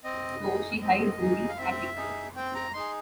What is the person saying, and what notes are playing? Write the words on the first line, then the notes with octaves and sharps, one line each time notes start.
So she hides in the attic.
C4 D#5
D#4 G#4
C4 D#5
D#4 G#4
F5
C4 E5
D#4 G#4
C4 G5
A#5
D#4 G#4 C6